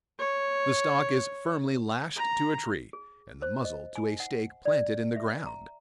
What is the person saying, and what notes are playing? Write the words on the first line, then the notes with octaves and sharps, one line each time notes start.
The stock is firmly lashed to a tree, and the muzzle to a stake planted in the ground.
C#5
A#5
G#4
C5
D#5
G#5
F#5
D5
E5
A#5